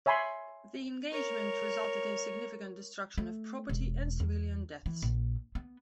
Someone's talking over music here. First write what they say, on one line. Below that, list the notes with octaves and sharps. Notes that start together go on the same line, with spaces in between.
The engagement resulted in significant destruction of property and civilian deaths.
C#5 E5 G#5 B5 C6
A#4 C#5
A3
E1
E2
E3
A#1
B3